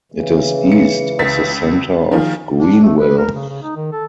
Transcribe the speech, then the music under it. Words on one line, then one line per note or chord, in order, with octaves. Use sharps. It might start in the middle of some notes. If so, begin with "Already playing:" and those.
It is east of the center of Greenville.
C#3 E3
C#7
C#2 A6 B6
D#3 F3 G#4 F5
D4
A3
B4
A#4
C#3
C#3
D#4
D#3
A4